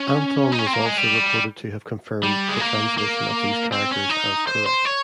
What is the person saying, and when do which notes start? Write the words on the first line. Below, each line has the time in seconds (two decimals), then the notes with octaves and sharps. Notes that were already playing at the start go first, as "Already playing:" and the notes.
Anthon was also reported to have confirmed the translation of these characters as correct.
Already playing: C#4
0.52 D#4
0.59 C#4
0.67 C4
0.73 A#3
0.86 G#3
0.98 G3
2.23 G3
2.49 G#3
2.60 A#3
2.98 A#3
3.72 C4
3.91 C#4
4.09 D#4
4.47 C5
4.66 C5
4.85 C#5